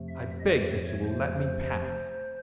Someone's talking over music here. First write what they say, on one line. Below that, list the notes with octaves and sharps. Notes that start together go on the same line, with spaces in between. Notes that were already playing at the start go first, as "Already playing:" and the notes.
"I beg that you will let me pass."
Already playing: F2 C3 F3 A3
E5
D#5
C#5
C5